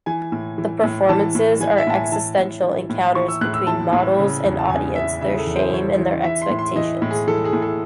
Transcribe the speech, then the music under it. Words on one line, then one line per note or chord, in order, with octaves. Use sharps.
The performances are existential encounters between models and audience, their shame and their expectations.
E3 G#5
A2
E3
A2
E3 A5
A2
E3 G#5
E5
A2 A5
G#5
E3 A5
A2
E3
A2
E3 C#6
E6
A2 F#6
E6
E3 A5
A2
C#3
E2
A5
E2 G#5
E3 E5
C#3 E5
G#4
A4
E2
C5
E2 C#5
E3
E3 E5
C6
A2
C6
E3 D#5
A2
G#4
E3 A4
G#4
A2
A4